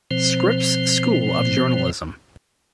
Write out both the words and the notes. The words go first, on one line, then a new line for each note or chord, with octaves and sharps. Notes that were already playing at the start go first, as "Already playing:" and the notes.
Scripps School of Journalism.
B2 F3 C4 C5